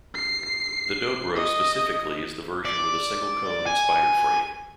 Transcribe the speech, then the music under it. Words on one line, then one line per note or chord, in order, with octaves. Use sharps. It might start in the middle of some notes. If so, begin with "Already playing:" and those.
The Dobro specifically is the version with a single cone and spider frame.
C7
D#5
D5
G#5